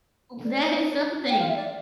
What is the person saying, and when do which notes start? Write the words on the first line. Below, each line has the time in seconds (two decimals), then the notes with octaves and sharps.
that is something.
0.45 D5
1.29 G5
1.39 F5
1.48 E5
1.56 D5